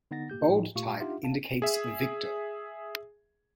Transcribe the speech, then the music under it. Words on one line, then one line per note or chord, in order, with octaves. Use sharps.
Bold type indicates victor.
D3 B3 D#4 F#5 A6 A#6
A#3 G4 G6
A2 F3 D#4 F4 F#4
A#2 A3 F4 G4 F5 C#6
D4 D#4 F4 G4 E5 F#5
F5 A5
G#4 E5